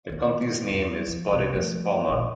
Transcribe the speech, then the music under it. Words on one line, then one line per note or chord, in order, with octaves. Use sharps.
The company's name is Bodegas Pomar.
D#3 A#3
E2
F3
C2 C3
F3 A3
E1 A#1